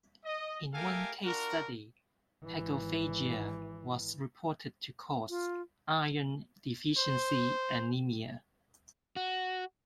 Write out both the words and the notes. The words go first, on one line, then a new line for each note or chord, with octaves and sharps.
In one case study, pagophagia was reported to "cause" iron deficiency anemia.
D#5
A3 G4 A4 A#4 F5 G#5
D4 F4 F#4 A#4
G#1 E3
F4
C5
F#4